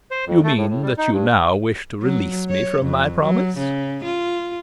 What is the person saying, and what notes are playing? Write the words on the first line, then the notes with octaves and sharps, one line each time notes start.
"You mean that you now wish to release me from my promise?"
C5
F2
A3
A2
A2
G3
D#4
G2
F#3
C#5
F2
F#3
C#3
F4